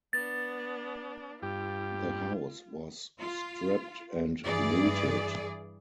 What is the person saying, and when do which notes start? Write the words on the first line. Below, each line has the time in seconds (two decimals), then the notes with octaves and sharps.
The house was stripped and looted.
0.13 B3 D4 A6
1.43 G2 F4 G4
3.20 F4
4.44 G2 E3 G#4 D5